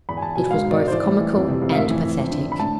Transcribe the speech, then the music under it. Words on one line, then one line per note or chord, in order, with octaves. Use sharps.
It was both comical and pathetic.
E2 B5
G#5
E2 A5
B2 G#5
G#2 F5
G#2
D5
G#2
C5
E3 D5
A2
E3
F2
C3
F2
F5
A2 E5
E3
E3
F2
D3
D3
B5
A2 A5